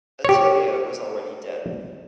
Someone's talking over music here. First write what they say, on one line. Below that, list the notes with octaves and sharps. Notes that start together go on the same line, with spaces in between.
Attilia was already dead.
G4 C#5